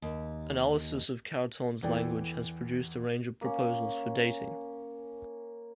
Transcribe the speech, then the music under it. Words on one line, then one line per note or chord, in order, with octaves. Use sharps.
Analysis of Chariton's language has produced a range of proposals for dating.
D#2
E2 E3 A4 D5 G5
A#3 C#4